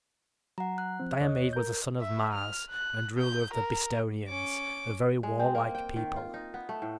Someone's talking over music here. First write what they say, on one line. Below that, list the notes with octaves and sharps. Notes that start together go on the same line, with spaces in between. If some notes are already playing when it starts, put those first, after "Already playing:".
Diomede was a son of Mars and ruler of the Bistonians, a very warlike people.
F#3 F#5 A#5
F#6
F3 C4
D#2 C#5 D#5
A#4 G6
E5
F6
F#6
G6
A#4
C#4 D6
G#3
C4
A#3
G5
D#3
F4
D#4
B3
A3
A2